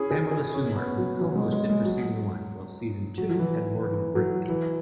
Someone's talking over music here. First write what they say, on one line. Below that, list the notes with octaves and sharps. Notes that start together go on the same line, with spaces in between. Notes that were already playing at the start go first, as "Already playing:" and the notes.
Pamela Sue Martin co-hosted for Season One, while Season Two had Morgan Brittany.
Already playing: C#4 E4 G#4
G#4
G#4
C#4
B3
F#3
F#3
G#3
G#3
G#3
F#3
F#3
E3
E3
F#3
E3